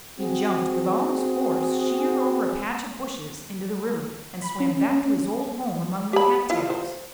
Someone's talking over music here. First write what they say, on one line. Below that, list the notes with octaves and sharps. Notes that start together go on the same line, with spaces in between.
He jumped with all his force sheer over a patch of bushes into the river, and swam back to his old home among the cat-tails.
C4 F#4 G#4
B5
C#4
G4 B5
E4 F4
C5